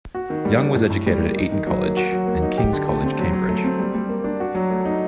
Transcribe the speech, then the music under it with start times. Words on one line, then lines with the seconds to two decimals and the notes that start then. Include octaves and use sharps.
Young was educated at Eton College and King's College, Cambridge.
0.15 F#4
0.30 D#3
0.45 G3
0.60 D4
0.75 A2
0.90 A2
1.06 G3
1.21 A#3
1.36 D#4
1.52 D#3
1.67 F#3
1.82 A#3
1.97 F#4
2.12 F#3
2.27 A#3
2.42 D#4
2.58 G4
2.73 D3
2.88 A3
3.03 C4
3.19 F#3
3.33 F#3
3.49 A3
3.64 C4
3.79 G3
3.95 G3
4.09 A#3
4.24 D4
4.40 F#4
4.55 F#3
4.71 A3
4.85 D#4